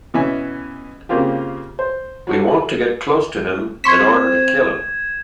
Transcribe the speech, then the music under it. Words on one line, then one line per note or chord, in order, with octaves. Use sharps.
We want to get close to him in order to kill him.
B2 E3 C#4 E5 G#5
C#3 A#3 C4 F4 G4
C5
F#3 F#4 A4
C4 C6 C#6 G#6 B6 E7